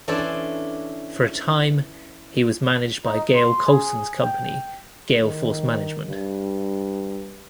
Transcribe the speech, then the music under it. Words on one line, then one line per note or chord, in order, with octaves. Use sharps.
For a time, he was managed by Gail Colson's company, Gailforce Management.
E3 C#4 D4 A4 C5 D5
D#4
C6
G#4
G5
D#3
G2